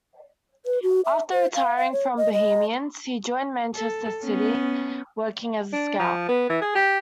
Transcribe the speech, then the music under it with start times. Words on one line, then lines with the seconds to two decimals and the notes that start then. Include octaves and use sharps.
After retiring from Bohemians he joined Manchester City, working as a scout.
0.66 B4
0.83 F#4
1.05 E5
1.32 C5
1.55 F5
1.77 F5
1.92 C#5
2.17 D#5
2.33 D#5
3.76 A4
4.24 B3 C#4
5.73 D4
5.99 F3
6.29 B3
6.50 E3
6.62 G#4
6.75 G4